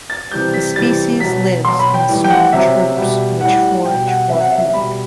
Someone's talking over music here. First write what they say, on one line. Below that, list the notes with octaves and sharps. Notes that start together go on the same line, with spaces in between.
The species lives in small troops which forage for food.
A6
C3 E3 G3 G6
B6
C3 E3 G3 A6
B2 F#3 B6
B2 F#3 C6
B5
G5
A2 E3 G3
G5
F#5
C3 F#3 E5
B2 G3
A2 G3 F#5
B2 G3 G5
F#5
C3 F#3 E5
F#5
E5
E5
B2 G3 B5